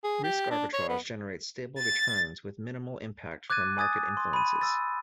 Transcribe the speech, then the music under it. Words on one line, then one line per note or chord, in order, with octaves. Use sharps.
Risk arbitrage generates stable returns with minimal impact from market influences.
G#4
G4
D4
C#5
B3
A6
D6 F#6 G#6 A6 D#7
G#5 D#6 G#6 A6
C6
B5 D#7
E6 A6